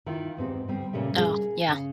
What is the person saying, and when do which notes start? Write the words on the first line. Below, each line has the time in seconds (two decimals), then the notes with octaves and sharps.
Oh, yeah.
0.06 D#3 E4 F4
0.37 E2 G#2 C4 G4
0.68 D2 G3 C4
0.93 A#2 C#3 G3 A3
1.15 A#3 G#4
1.68 C#3